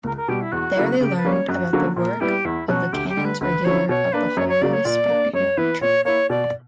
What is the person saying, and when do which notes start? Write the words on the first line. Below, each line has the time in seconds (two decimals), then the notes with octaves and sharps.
There they learned about the work of the Canons Regular of the Holy Sepulchre.
0.04 C#2 A#4
0.17 A#4
0.28 B2 G3 G4
0.41 E4
0.52 E2 F#4
0.76 C#3 F#3 A#3 E4
1.00 C#3 G4
1.16 B4
1.25 G3 A#3 C#4
1.32 C#5
1.49 F#2 F#4
1.73 D3 F#3 A#3 C#4
1.96 A#2 A#4
2.20 G3 B3 E4 G4
2.45 E2 E4
2.68 B2 F#3 C#4 F#4
2.92 D2 G4
3.09 G4
3.17 D3 G3
3.25 B4
3.41 D2 B4
3.65 D3 F#3 C#4 E4 C#5
3.89 B2 C#5
4.13 A#3 D4 B4
4.37 F#2 C#5
4.49 C#5
4.61 C#3 F#3 A#3 D5
4.73 C#5
4.85 A#2 D5
5.09 A#3 D4
5.33 F#2 C#5
5.57 E3 B3 E4 B4
5.81 A#2 C#5
6.05 A#3 E4 C#5
6.30 B2 D5